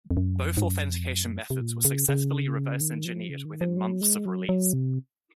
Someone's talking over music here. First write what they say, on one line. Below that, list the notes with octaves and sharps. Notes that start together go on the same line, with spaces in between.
Both authentication methods were successfully reverse engineered within months of release.
F2
F#2
F2
G#2
F#2
F2
F#2
C3
A#2
C#3
C#3
D#3
F3
C#3
D#3
F3
F#3
G#3
F#3
F#3
C3